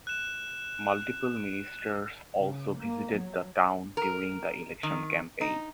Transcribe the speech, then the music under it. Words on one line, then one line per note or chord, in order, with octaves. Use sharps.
Multiple ministers also visited the town during the election campaign.
F#6 E7
C#3
A#3
F#3
A#4
D#3
D#4